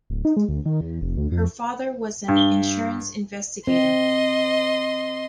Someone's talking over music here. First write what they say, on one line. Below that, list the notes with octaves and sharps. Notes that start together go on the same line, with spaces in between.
Her father was an insurance investigator.
D1
D#4
G#3
D2
D#3
E2
F1
D2
F2
G2
C4 D#5 C6